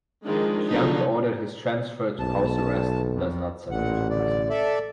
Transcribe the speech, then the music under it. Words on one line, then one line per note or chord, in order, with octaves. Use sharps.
Chiang ordered his transfer to house arrest and does not send him to prison.
D#3 F3 G#3 D4 F4
D3 F3 F#3 B3 D4 D#4
B1 A5
F2
A1 A#2 F#5
D3 D5
A4 D5 E5